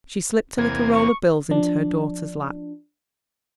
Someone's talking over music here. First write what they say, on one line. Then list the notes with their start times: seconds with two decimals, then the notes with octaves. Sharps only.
She slipped a little roll of bills into her daughter's lap.
0.58 E2 C3 A#3 G#6
0.92 C#6
1.49 F3 D4